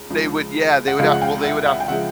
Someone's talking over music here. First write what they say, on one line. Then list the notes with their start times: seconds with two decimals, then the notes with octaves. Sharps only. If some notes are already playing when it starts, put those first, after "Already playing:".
They would yeah, they would have well, they would have
Already playing: C#2 C#3
0.10 C#2 C#3 F3 G#3
0.87 F#5
0.98 C#2 C#3 F3 G#3 D#5 F5
1.11 F#5
1.21 F5 G5
1.44 E5 F#5
1.65 E5 F#5
1.80 G5
1.88 C#3 F3 G#3 E5 F#5